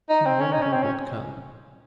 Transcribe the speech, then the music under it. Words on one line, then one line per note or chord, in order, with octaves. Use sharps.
She knew he would come.
D#4
C4
C#4
D#4
C#4
C4
C#4